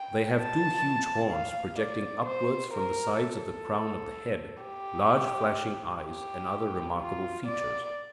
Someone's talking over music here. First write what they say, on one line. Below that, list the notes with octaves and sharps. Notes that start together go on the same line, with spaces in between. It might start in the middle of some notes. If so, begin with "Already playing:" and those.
They have two huge horns projecting upwards from the sides of the crown of the head, large flashing eyes, and other remarkable features.
Already playing: G5
A5
F5
D5
C5
A#4
A4
G4
G4
F4
D5